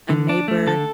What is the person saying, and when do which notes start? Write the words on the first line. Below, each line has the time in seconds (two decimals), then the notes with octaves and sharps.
a neighbor.
0.10 D3
0.29 D4
0.48 A3
0.67 D3 A4